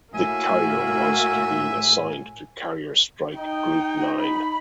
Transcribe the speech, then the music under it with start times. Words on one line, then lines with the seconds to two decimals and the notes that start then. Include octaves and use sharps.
The carrier was to be assigned to Carrier Strike Group Nine.
0.14 A2 A#3 F#4 E5 G#5
3.36 D#4 G5
4.21 B5